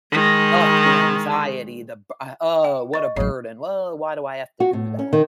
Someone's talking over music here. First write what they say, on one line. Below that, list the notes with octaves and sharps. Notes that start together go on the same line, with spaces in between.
ugh, the anxiety, the b oh, what a burden. Well, why do I have to do that?
D#3 G#3
G5
D#5 C#6 A6
A1 F#3 C7
F#4
A2
C#4
D#3